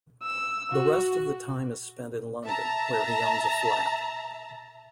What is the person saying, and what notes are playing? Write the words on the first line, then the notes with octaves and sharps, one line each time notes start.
The rest of the time is spent in London, where he owns a flat.
E6
F#4
E5 A5 A#5